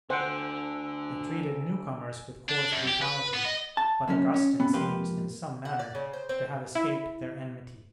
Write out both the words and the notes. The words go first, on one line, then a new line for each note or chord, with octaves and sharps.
They treated new-comers with coarse brutality, but Augustine seems in some manner to have escaped their enmity.
D2 D3 C5 F#5 G#5 E6 D7
D4
F#2
G4
B4
B3
D#5
A5
D2 F#3 A#3 C#4
C#4
C3 B3 C#4
F2 G#2 A#3 G4 B4 C6
F#5
D5
C#3
C5
C4
E4